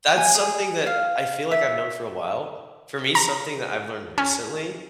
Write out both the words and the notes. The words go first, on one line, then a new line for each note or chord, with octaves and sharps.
that's something that I feel like I've known for a while. For me, something that I've learned recently,
G#5
G#4
F5
E5
A#5
C#4